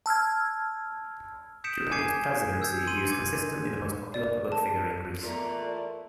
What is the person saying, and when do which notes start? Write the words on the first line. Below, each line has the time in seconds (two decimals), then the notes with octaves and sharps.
During his presidency, he was consistently the most popular public figure in Greece.
0.06 A5 E6 F6 G#6
1.64 D#6 G6 B6 C#7 D7 E7
1.91 G#5 D6 G#6 C7 C#7 E7
2.62 E6 G6 G#6
2.87 C6 D#7 F#7
3.08 D6 G#6 C#7
4.14 D5
4.52 A5
5.23 E2 A3 F4 A#4 B4 D5 A#5